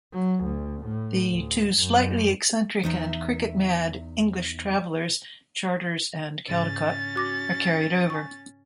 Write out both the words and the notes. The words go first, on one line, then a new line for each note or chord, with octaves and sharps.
The two slightly eccentric and cricket-mad English travellers, Charters and Caldicott, are carried over.
F#3
D2
A2
D2
F#2
E2 D#4 E5
G#2 C#3 C#4 A6
F#4 D6 A#6
G#5 C#6